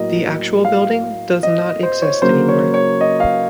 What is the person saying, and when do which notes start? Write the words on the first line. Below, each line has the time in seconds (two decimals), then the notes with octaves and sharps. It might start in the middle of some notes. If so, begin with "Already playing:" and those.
The actual building does not exist any more.
Already playing: A2 F#3 A#3 D#5
0.65 F5
1.43 D#5
1.83 C5
2.02 C#5
2.22 C#3 F#3 A#3 C5
2.48 C#5
2.74 C#5
3.01 D#5
3.20 F5